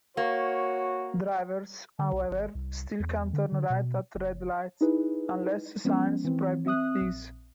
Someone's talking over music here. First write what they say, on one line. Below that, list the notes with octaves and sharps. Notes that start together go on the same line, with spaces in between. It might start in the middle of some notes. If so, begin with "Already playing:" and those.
Drivers, however, still can turn right at red lights, unless signs prohibit this.
A#3 F#4 C#5
D3
B1
G#1
C2
E2
D3
D3
B2
F#1
D#4 E4 G#4 B4
F3 G#3 B3 C#4
E3 C4
C4 E5 D#6 F#6
A#1